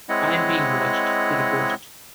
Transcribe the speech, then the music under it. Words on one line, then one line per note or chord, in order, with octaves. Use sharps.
"I'm being watched," he reported.
G#3 C4 E4 C#5 D#5 F#5